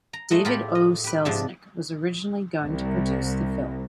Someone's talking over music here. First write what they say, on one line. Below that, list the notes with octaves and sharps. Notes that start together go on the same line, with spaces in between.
David O. Selznick was originally going to produce the film.
A#5
G#3 A3 D#5 F#5
A2 F4 G4 A#5 B5
D#5
G4 B4
G#2 C3 F3 D4
C2